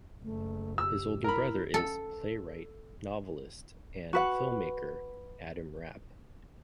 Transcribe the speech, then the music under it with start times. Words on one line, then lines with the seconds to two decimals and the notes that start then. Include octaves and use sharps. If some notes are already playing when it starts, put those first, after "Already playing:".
His older brother is playwright, novelist, and filmmaker Adam Rapp.
0.23 F#1 A3
0.78 G4 E6
1.24 E4 A#4 B5
1.74 A4
4.13 F#4 B4 F#5